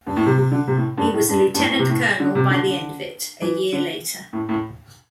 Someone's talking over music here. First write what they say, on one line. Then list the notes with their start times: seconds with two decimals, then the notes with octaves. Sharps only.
He was a lieutenant colonel by the end of it, a year later.
0.06 G2
0.16 A2
0.26 C3
0.37 C3
0.52 D3
0.67 C3
0.77 A2
0.97 G2
1.14 A2
1.29 G2
1.54 G2
1.59 A2
1.69 A2
1.79 C3
1.89 A2
2.20 D3
2.35 C3
2.51 D3
2.66 D3
3.42 E3
3.73 D3
4.33 A2
4.49 A2